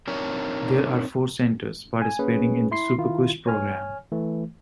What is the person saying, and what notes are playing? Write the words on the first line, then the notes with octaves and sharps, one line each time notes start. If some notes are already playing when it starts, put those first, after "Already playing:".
There are four centers participating in the SuperQuest program.
C4 D4 D#4 A#4 C#5
G#5
A#3 C#4 G#4 B4
E4 C6 C7
D#3 E4 F4
C#5 G#5 F6
E3 A3